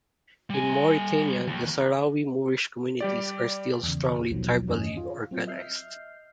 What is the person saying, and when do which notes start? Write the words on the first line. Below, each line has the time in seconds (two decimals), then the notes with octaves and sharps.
In Mauritania, the Sahrawi-Moorish communities are still strongly tribally organized.
0.50 G3 G#5
1.47 D#2
3.01 G3 G4 D5
3.83 E2 C#3
4.31 A#1 D#2 B2 D#3 F3 F#3
4.68 E2 G2 D#3 C#4 D#5 G#5
4.97 F4
5.31 F#3 C4 F4
5.47 D#5 E5 F6 G6 C7